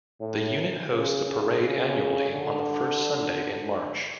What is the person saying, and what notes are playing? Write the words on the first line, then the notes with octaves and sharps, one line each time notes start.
The unit hosts a parade annually on the first Sunday in March.
A2
C#3
C#3
D3